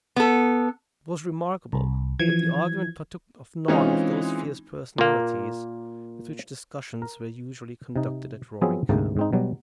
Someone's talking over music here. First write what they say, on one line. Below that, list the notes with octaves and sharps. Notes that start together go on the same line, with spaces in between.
It was remarkable that the argument partook of none of those fierce personalities with which discussions were usually conducted at Roaring Camp.
B3 A4
C2
E3 F3 G#6
E3 G#3 C4 C#4 D#4 F4
A#2 A#3
A#4
C3 D#4
F3 F#3 B3 C4 G#4 E5
D2 G#2 C3 A#3 G5 A5
G#2 C4 D#4
B2 F#3 G3